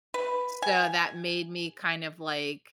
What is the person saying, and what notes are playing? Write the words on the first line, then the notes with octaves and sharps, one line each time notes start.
So, that made me, kind of, like,
B4
G#5